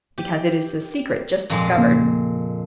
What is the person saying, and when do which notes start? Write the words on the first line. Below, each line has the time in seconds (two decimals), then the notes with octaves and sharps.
"Because it is a secret just discovered."
0.18 G4
1.50 F2 A#2 G#3
1.77 C#3 A#3